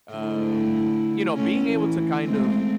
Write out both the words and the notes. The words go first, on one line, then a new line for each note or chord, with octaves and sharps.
Um, you know, being able to kind of
D3 A3 E4
A3 C#4
E3
G#3 A3 C4